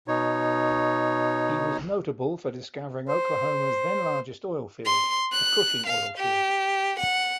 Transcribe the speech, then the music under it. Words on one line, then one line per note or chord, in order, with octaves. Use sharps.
He was notable for discovering Oklahoma's then-largest oil field, the Cushing Oil Field.
B2 D#4 C#5
C5
C6
F#6
F5
G4
F#5